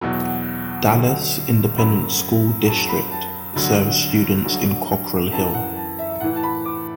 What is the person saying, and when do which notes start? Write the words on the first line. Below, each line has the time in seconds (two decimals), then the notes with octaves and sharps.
Dallas Independent School District serves students in Cockrell Hill.
0.01 E2 B2 F#3
0.90 D2 D3 F#3
1.78 F#2 F#3 B5
2.67 F#2 F#3 A5
2.89 B5
3.11 A5
3.55 D2 D3 F#3
4.44 D2 D3 F#3
5.33 F#2 E3 A5
5.54 F#5
5.77 A5
5.99 E5
6.21 A2 E3 F#5
6.36 A5
6.43 B5
6.66 D6